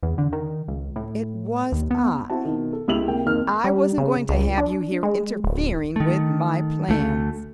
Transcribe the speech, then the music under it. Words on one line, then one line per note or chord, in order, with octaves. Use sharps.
"It was I. I wasn't going to have you here interfering with my plans."
E2
D3
D#3
C#2
A2
D#2
B3
C4 E4 F#4 A5
B2 D#3
A4
C#2 E4 G4 E6 F7 F#7
C3 A#3 G5
F2 D#3 A#3 F6
G3
C#3
C#2
D4
G#3
D1
D#3 A3
D2 A3